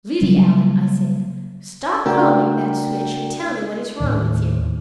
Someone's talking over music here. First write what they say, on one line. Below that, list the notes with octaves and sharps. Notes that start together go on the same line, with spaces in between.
"Liddy Allen," I said, "stop combing that switch and tell me what is wrong with you."
C#3 F#3 G3 A#3
C#3 A3 D4 F#4 A#4 G5
D#2 A2 D#3